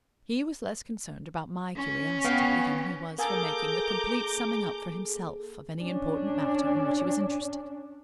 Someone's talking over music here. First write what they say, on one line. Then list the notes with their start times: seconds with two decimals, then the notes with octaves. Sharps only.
He was less concerned about my curiosity than he was for making a complete summing up for himself of any important matter in which he was interested.
1.75 C#4
2.24 B3 F5 G5
3.18 A#3 G#4 A4 A#5 D6 G6
5.81 C#4 D4